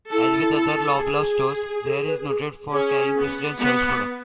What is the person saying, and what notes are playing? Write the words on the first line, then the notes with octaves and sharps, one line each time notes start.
As with other Loblaw stores, Zehrs is noted for carrying President's Choice products.
E4 A4
A4
G#4
A4
B4
G#4
C#4 G#4
B3
B3